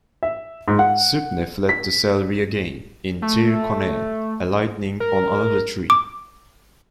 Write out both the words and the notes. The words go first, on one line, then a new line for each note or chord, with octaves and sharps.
Suibhne fled to Cell Riagain in Tir Conaill, alighting on another tree.
E5
G#2
F#5
B6
A3
A#4
D6